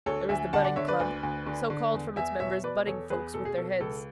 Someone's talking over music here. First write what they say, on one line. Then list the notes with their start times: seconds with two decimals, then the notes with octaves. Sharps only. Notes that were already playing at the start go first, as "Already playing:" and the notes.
There was the Butting Club, so called from its members butting folks with their heads.
0.06 D2 A4 C#5
0.29 D2 E5 G#5
0.53 D3 F#5 A5
0.64 D5 F#5
0.76 D3 C#5 E5
0.88 B4 D5
1.00 D2
1.23 D2
1.46 D3
1.70 D3
1.94 E2
2.16 E2 E5 G#5
2.40 B2 C#5 E5
2.63 B2 B4 D5
2.87 E2 A4 C#5
3.10 E2 G#4 B4
3.34 B2 A4
3.45 G#4
3.58 B2 A4
3.80 C#2 A4